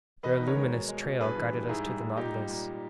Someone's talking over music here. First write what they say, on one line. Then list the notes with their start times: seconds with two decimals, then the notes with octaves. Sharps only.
Their luminous trail guided us to the Nautilus.
0.23 E2 B4 D#5
0.39 D#3
0.47 A#4 C#5
0.56 G#3
0.72 B2
0.88 G#3
1.04 B2
1.20 G2 G#4 B4
1.37 E3
1.52 G3
1.69 G#2 E4 G#4
1.85 G3
2.01 G#2
2.17 A#2 D#4 G4
2.34 G3
2.50 A#2